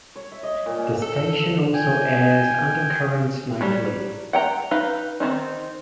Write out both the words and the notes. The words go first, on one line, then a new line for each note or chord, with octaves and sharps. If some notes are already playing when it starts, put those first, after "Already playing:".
The station also airs "UnderCurrents" nightly.
C#5
E5
D#5
A#2
G#5
A4
G5 G#5
F#3 G3 A5
F#5 G5 A#5
D#4 B4 F5
D#3 F#3 C4 D#4